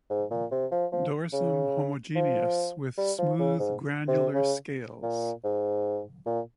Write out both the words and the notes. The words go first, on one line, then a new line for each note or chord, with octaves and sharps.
Dorsum homogeneous with smooth granular scales.
G#2
A#2
C3
F3
F3
C#3
F3
G3
F3
C#3
G#2
C3
C#3
A#2
G#2
A#2